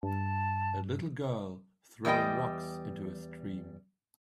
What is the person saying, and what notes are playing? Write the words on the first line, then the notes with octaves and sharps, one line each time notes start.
A little girl throwing rocks into a stream.
G2 A5
E2 G3 D#4 D#5 G5